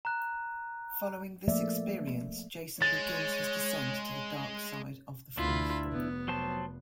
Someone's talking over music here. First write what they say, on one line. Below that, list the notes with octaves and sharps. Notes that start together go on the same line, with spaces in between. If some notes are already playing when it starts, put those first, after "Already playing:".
Following this experience, Jacen begins his descent to the dark side of the Force.
A#5 F#6
F3 A3 A#3 D5 E5
G#3 C#5 A6
D2 D4 E4 F4 B5
F1 B3
F#3 C5 A5